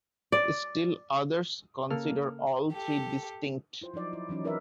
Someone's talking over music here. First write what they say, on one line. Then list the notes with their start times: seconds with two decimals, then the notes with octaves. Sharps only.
Still others consider all three distinct.
0.32 D5
1.91 C#3 A#3 A4 F6
2.72 G4 A4
3.82 E4 F4 C5
3.94 F3 F#3 D#4 D5
4.13 E4
4.29 E3 F#3 C#4 D#4
4.44 C4 D#4 A#4 B4 D5 E5